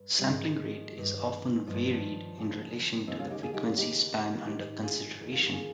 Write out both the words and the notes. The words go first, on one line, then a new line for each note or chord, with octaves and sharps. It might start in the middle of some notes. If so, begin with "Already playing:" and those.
Sampling rate is often varied in relation to the frequency span under consideration.
Already playing: G2
G3
G#2 D#3 F3 G#3
G2 D#3
G2 D#3 F3
F3
D#2 C#3
D#2 C#3 C4 D#4
C#4 F4
D#4 G4
F4 G#4
D#4 G4
C#4 F4
D#2 C#3 D#4 G4
G#2 D#3 D#4 G4
F4 G#4
F2 D#3
F4
G4
F4 G#4